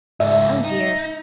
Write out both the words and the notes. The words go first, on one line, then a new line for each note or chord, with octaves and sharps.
Oh dear!
C#2 G#2 E5
D#4